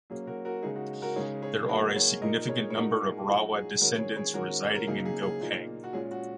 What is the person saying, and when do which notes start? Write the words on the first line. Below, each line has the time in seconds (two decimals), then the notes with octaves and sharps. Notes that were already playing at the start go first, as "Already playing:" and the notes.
There are a significant number of Rawa descendants reside in Gopeng.
0.10 F#3 A#3 C#4 G#4
0.27 F#4 A#4
0.45 F#4 A#4
0.63 C#3 G#3 D#4 G#4
0.76 F#4
1.02 F#4 A#4
1.15 C#3 G#3 D#4 G#4 C#5
1.42 G#4 C#5
1.69 F#3 A#3 D#4 F#4 A#4
1.95 G#4 C#5
2.22 A#2 A#3 D#4 A#4 D#5
2.48 G#4 C#5
2.70 C#5
2.75 A#2 G#3 D#4 F#4 A#4
3.01 G#4
3.28 A#2 F#3 D#4 F#4
3.55 G#4
3.81 D#3 G#3 C#4 F#4 A#4
3.98 G#4 C#5
4.16 G#4 C#5
4.34 D#3 G#3 C#4 F#4 A#4
4.75 A#4
4.87 C#3 F#3 A#3 D#4 G#4
5.05 G#4
5.23 G#4
5.41 A#2 A#3 D#4
5.84 F#4
5.93 A#2 G#3 C#4 G#4
6.11 F#4